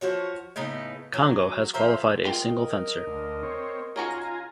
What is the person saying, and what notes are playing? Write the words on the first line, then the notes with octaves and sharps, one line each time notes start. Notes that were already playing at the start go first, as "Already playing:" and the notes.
Congo has qualified a single fencer.
F3 F#4 C#5
A2 C#3 B3 D#4
F#3
F3 C5 E5 A#5
G#3 F4 A#4 D#5 G5
D2
C4 C#5
C#3 D#4 F4 F#4 G#5 A#5